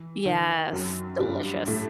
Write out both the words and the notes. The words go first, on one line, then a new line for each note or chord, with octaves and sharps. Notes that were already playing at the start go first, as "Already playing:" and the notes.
Yes, delicious.
Already playing: E3
D#3
F#2 F#3
G2 G3
A2 A3